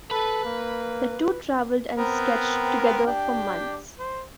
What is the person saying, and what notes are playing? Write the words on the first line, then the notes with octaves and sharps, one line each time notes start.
The two travelled and sketched together for months.
A4 B4 B5
A#3
B3 C4 A#4
D4 G4 G5
C5